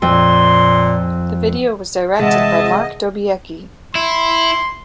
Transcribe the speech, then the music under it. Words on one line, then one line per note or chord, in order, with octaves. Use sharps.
The video was directed by Marc Dobiecki.
F2 A#2 C6
C3 E3 G#3 G#4 D#5 E5 F#5 A5
E4 C6